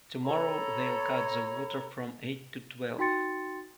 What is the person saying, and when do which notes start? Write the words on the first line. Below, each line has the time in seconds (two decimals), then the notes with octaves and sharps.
Tomorrow they’ll cut the water from eight to twelve.
0.24 A4 C#5 A#5 B5
2.98 D#4 F#4 G5 C6 A6 C#7